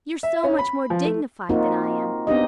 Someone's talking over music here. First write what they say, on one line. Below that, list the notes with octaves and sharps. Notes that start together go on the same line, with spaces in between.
You're so much more dignified than I am.
E5
C#4
B5
F3
A3
A#3 C4 D#4 F4 F#4
B3 C4 D4 D#4 G4 D#5